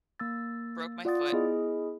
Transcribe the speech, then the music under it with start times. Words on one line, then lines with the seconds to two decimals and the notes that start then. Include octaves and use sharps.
broke my foot,
0.20 A#3 E6 A6
1.05 F4 D5 F#5 D#6 A6
1.32 B3 E4 G#4 D#5